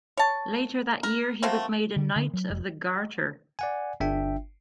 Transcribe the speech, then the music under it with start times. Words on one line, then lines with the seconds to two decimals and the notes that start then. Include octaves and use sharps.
Later that year he was made a Knight of the Garter.
0.17 C#5 A5
1.03 A#4
1.43 A3 A#3 C4 F#4
1.96 D3
2.16 D3
2.33 F#3
2.50 F1
3.59 D5 F#5 G#5
4.00 G1 D4 E5 G5